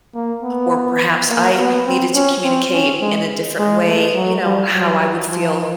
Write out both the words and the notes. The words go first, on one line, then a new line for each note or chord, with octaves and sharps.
or perhaps I needed to communicate in a different way, you know, how I would feel,
A#3
B3
A#3
B3
C4
C#4
C4
C#4
G#3
G#3
A3
F#3
G3
F#3
F3